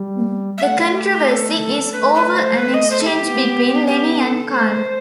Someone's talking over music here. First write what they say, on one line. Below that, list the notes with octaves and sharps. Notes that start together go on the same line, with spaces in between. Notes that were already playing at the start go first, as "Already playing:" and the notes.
The controversy is over an exchange between Lenny and Carl.
Already playing: G3
E5
A3 F#5
E5
G4
G4
A4
A3 B4
B4
C5
B4
D#5
C5
A4
G4
B3
G4
A4
A3 C5